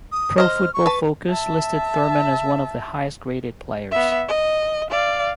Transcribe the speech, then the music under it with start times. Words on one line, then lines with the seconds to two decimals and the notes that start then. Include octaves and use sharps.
Pro Football Focus listed Thurman as one of the highest graded players.
0.12 D#6
0.38 C5 D#5 F6
0.74 C#6
0.86 B4 A5
1.29 E5 A5
3.91 B3 E5
4.28 D#5
4.90 D5 F5